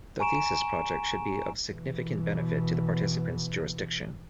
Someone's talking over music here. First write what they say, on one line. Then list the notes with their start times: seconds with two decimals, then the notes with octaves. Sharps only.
The thesis project should be of significant benefit to the participant's jurisdiction.
0.20 G#5 A#5 C#6 D7 E7
1.70 B2 E3